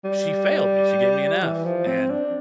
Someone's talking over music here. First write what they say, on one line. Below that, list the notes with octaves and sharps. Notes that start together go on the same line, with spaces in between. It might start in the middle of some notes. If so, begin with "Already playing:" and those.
She failed me, she gave me an F, and,
G3
E3
F3
C4
D4